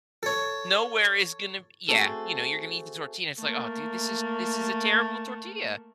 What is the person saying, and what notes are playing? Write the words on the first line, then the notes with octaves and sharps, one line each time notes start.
Nowhere is gonna yeah. You know, you're gonna eat the tortilla, it's like, "Oh, dude, this is this is a terrible tortilla."
A4 C#5
A3 C4 F#4 G#4 A4
A3 A#3